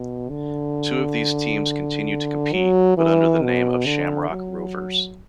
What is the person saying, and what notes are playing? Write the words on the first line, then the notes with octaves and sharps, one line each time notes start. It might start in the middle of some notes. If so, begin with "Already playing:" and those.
Two of these teams continue to compete, but under the name of Shamrock Rovers.
Already playing: B2
D3
F#3
E3
B2
D3
F#3